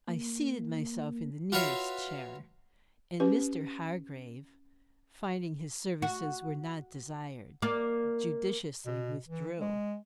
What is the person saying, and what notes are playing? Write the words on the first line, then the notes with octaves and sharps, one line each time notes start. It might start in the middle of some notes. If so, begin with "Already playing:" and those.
I seated myself in the nearest chair; and Mr. Hargrave, finding his services were not desired, judiciously withdrew.
A#3
F4 F#4 B4 C#5 E5 F5
C#4 G4 B4
F#4
A#3 D5
B2
E3
G#3